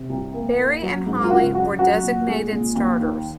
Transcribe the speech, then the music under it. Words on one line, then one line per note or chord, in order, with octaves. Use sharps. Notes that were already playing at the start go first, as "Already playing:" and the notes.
Berry and Hali were designated starters.
Already playing: C3
C2
A#3
A#3
F#3
G#2
F4
C#3 F#4
F#2 F#4
F#3 F#4
A#2
G#3
A#2
D#2
D#3